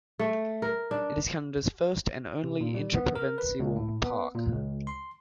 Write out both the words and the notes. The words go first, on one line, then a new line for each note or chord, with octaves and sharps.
It is Canada's first and only interprovincial park.
A3
A#4
D4
C3
A#2
G3
B3
A#4
B4
C#2
A2
B3
A#2
C#2
C6